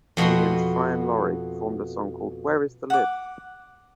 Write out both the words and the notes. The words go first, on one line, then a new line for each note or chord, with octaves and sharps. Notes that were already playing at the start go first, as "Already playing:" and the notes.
Comedians Fry and Laurie performed a song called "Where is the Lid?".
F2 B2 F#4 B4 C6
F#5 D6